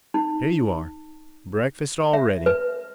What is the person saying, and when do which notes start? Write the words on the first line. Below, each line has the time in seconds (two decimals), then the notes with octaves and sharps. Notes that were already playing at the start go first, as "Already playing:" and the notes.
Here you are, breakfast all ready!
0.14 D#4
2.13 E5
2.46 B4